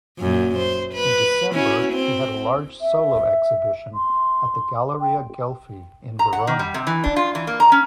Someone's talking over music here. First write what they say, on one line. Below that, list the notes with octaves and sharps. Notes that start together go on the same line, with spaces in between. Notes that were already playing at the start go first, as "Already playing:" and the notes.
In December he had a large solo exhibition at the Galleria Ghelfi in Verona.
F#2 A#2
C5
B4
C#4 E4 F#4
C4
E5
C6
G5
A#5
F#5
D#3
G3
C3
E3
D4
F4
E3
A#3
A#5
C#4